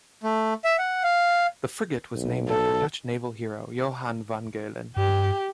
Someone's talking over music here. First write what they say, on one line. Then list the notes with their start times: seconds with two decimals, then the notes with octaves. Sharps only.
The frigate was named after Dutch naval hero Johan van Galen.
0.23 A3
0.64 E5
0.79 F#5
1.03 F5
2.15 B1
2.49 A4
4.96 G2 G4